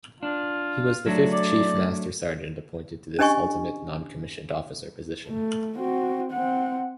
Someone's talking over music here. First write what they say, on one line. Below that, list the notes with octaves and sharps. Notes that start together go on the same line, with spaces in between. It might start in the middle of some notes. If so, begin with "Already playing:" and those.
He was the fifth chief master sergeant appointed to this ultimate noncommissioned officer position.
D4 F4
F#3 A3 D4
D5
C#4 D4 G4 D#5 G#5 C#6
A3
C4 F#4
C4 F#5